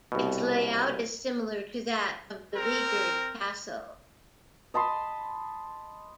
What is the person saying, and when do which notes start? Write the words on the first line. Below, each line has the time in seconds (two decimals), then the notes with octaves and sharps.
Its layout is similar to that of Beleaguered Castle.
0.12 C2 B2
2.55 C4 A#4
4.74 D#5 A5 B5 C6